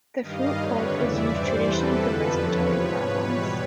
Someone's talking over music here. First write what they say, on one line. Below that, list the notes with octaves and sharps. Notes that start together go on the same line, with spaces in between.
The fruit pulp is used traditionally for respiratory problems.
G2 D#3 G3 D#5 F5
F2 D3 G3 B4 C#5
E2 C#3 E3 D5 E5
G2 E3 G3 C5 D5
E2 C3 E3 G3 A4 B4
F2 D3 F3 A4 B4
E2 C3 F3 B4 C#5
G#2 F3 B4 C#5
E2 B2 G3 B4 C#5